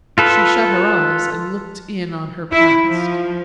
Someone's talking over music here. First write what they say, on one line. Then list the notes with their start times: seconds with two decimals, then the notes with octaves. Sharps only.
She shut her eyes and looked in on her past.
0.18 F4 A4 B4
2.52 E4
2.82 F3